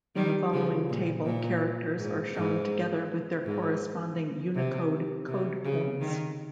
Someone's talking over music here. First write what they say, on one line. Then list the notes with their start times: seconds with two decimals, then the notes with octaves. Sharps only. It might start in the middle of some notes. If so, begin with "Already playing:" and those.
In the following table characters are shown together with their corresponding Unicode code points.
0.16 D#3 G3
0.53 C#3 F3
0.89 A#2
1.25 A#2
1.99 G#2
2.36 G#2
3.46 G#2
4.55 C3
5.28 C3
5.65 C#3
6.01 D#3